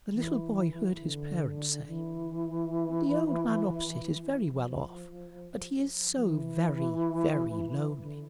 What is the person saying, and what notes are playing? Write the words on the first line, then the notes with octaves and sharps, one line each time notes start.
The little boy heard his parents say, "The old man opposite is very well off, but he is so very, very lonely!"
E3
D3
E3
F3
F3
E3
D3